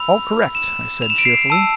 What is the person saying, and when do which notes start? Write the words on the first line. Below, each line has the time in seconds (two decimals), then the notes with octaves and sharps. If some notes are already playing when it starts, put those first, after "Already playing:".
"All correct," I said cheerfully.
Already playing: B5 E6 F7
0.55 E7
1.02 F7
1.10 E7
1.18 D7
1.25 C7
1.50 A5 E6